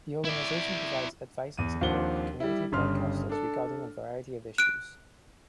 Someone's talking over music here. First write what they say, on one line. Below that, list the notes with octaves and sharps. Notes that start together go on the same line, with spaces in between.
The organisation provides advice and support to community broadcasters regarding a variety of issues.
E4 D5
E2 D#7
D#2 F3 C4 D4 F#5 G7
G3 E4
G1 G2 C#3 C6 F6
D4 A4
F#6 D7